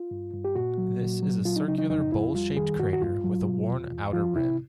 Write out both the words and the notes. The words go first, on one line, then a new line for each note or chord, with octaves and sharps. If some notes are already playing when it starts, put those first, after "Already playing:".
This is a circular, bowl-shaped crater with a worn outer rim.
Already playing: F4
G2
G2
G4
A#2 F#4
F#3
A#2
F#3
F#3 F4
D#4
C#3 D#4
D#4
F2 D#4
F2 E4
G3 F4
D#3 G#4
G2 F#4
F#4
G2 F4
F#3
B2
E2
E2
F3 F4
C3 E4